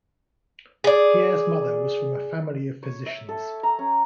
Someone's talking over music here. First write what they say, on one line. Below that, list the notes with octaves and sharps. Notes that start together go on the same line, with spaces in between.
Pierre's mother was from a family of physicians.
G#4 D5
C#5
E5
A4
A#5
C#4